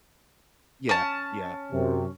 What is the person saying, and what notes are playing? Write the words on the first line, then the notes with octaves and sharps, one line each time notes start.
Yeah, yeah.
C#4 A5
F#2 C3